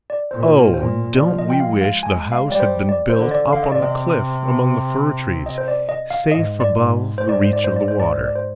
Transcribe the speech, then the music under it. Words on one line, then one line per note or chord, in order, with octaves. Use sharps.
Oh, don't we wish the house had been built up on the cliff among the fir-trees, safe above the reach of the water!
D5
A#2 C5
A#2 C5
F3 D5
D#5
G5
G#3 F5
F5
G#3 G#5
F5
G3
D5
C5
D5
C5
D3
D5
D3
F5
D#5
C3 D5
D#5
D#5
C5
D5
D#5
F5
G#2 D#5
D5
G#2
G#2 C5
D5
C5
D5
C5
D5
C5
D5
C5
D5
C5